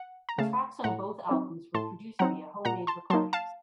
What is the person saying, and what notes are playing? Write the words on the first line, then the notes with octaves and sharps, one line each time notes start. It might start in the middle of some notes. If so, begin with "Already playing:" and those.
The tracks on both albums were produced via homemade recordings.
Already playing: F#5
A#5
C#3 A3 F5 A5
A2 F#5 A#5
F#3 C4 D#4
A2 A5 C6
F#3 C4 D#4 F#5 A#5
A#2 F#5 A#5
A5 C6
F#3 A#3 D#4 A5 C6
F5 A5